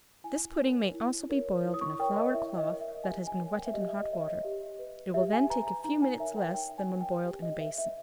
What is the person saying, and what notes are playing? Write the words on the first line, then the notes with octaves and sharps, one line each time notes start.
This pudding may also be boiled in a floured cloth that has been wetted in hot water; it will then take a few minutes less than when boiled in a basin.
E4 G#5
A#4 C#5
E4
A#4 C#5
E4
D#6
C#6
A#4 C#5 G5
D#5
E4 E5
D#5
A#4 C#5
E5
G4 G#5
G#5
A#4 C#5
G5
E5
G4 D#5
E5
D#5
A#4 C#5 E5
D#5
G4
B4
G4 E5
G#5
B4 A#5
A#5
D#4 A#5
G#5
A#4 C#5 E5
G5
D#4 G5
G#5
A#4 C#5
G5
G4
D#5
B4 E5
E5